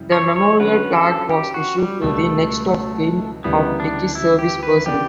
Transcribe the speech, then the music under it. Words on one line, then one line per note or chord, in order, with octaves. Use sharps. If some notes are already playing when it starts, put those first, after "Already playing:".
The Memorial Plaque was issued to the next-of-kin of deceased service personnel.
Already playing: F#2 C#3 E3 G3
C#5
C#5
D3 F#3 C#4 F#4 B4
A4
G4
F#4
G3
C#2 B2 G3 A3
D2 C#3 E3 G3 B3
D4
E4
G4
B4
C#3 E3 B3 D4 G4